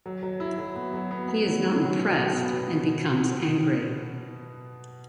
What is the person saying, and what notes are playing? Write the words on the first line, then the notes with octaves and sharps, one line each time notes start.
He is not impressed, and becomes angry.
F#3
F#3
E4
F#3
B3
F#3
B3
B3
F#3
F#3
F#3
B2
B2
B3
B2